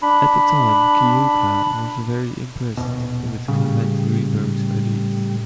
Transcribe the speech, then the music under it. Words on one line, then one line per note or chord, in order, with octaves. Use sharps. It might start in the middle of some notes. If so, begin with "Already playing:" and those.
At the time, Kiyooka was very impressed with Clement Greenberg's ideas.
D4 B5
D#1 B2
A2 C#3 G3